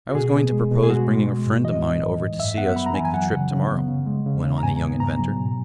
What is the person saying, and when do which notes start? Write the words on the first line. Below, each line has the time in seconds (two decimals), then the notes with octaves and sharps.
"I was going to propose bringing a friend of mine over to see us make the trip to-morrow," went on the young inventor.
0.09 F#4
0.15 B2 G#4
0.34 B2
0.52 G#3
0.72 B2
0.83 G#4
0.89 G#3 F#4
1.08 G#3
1.27 G#3
1.46 G#2
1.64 E3 D#5
1.83 G#2
2.02 G#2
2.20 G#2
2.39 F#2 E5
2.58 B3 F#5
2.76 F#2 B5
2.86 A#5
2.94 E3 G#5
3.05 G#5
3.14 F#3 F#5
3.32 C#3
3.51 C#3
3.69 B3
3.88 C#3
4.06 G#3
4.26 C#3
4.44 C#3
4.58 A#5
4.63 G#2 G#5
4.81 B3
5.00 G#2 A#5
5.19 F#3
5.37 B2